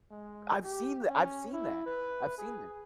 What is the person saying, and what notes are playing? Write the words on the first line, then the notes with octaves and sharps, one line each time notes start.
I've seen tha I've seen that. I've seen that.
G#3
G4
C#4
E4
B4
G#4